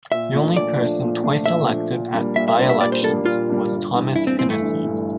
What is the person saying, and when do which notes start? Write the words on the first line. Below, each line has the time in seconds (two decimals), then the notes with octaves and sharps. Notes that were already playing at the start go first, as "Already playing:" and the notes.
The only person twice elected at by-elections was Thomas Hennessy.
0.12 A#2 E5
0.34 F3 A3 D4
0.57 A#2 D5
0.79 F3 A3 D4
1.01 A#2
1.23 F3 A3 D4
1.46 A#2 E5
1.68 F3 A3 D4
1.91 A#2
2.14 G3 A#3 D4
2.36 A#2 E5
2.48 E5
2.59 G3 A#3 D4 C5
2.69 E5
2.81 A#2 D5
2.92 C5
3.03 G3 A#3 D4 A4
3.26 A#2 F4
3.49 G3 A#3 D4
3.72 G1
3.94 G2 E3
4.16 G1 E4
4.27 C4
4.39 G2 E3 C4
4.50 A3
4.61 G1
4.84 G2 E3